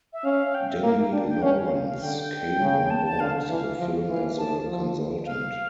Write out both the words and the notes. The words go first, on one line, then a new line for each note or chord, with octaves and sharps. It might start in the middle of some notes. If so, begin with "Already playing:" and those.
Denny Lawrence came on board the film as a consultant.
E5
C#4 F5
G5
E5
A#3 F5
F5
D4 G5
G5
C#4 F5
C#4
F5
D3 G5
G5
C#3
A5
A5
D3 F5
F5
E3 F5
F3 F5
F5
E3 F5
A5
F3
F5